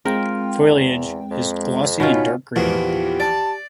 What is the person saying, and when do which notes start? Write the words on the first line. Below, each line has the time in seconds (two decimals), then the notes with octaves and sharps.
Foliage is glossy and dark green.
0.05 G#3 C4 F4 A#4 G5
0.61 E2
1.31 F2
2.00 B2 C#4 D#4 F4 C#5 B5
2.56 E2 A#2 E3 F3 F#4 G4
3.20 D5 A5